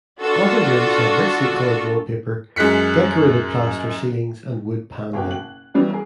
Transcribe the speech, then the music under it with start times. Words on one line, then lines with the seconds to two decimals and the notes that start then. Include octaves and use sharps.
Other rooms have richly coloured wallpaper, decorated plaster ceilings and wood panelling.
0.21 D4 F4 F#4 A4
2.56 F#2 G#3 F#6 B6 C#7
5.13 F#1 B2 G5 F#6
5.31 F#7
5.74 E3 F#3 G3 B3 C#4
5.90 G#4 A#4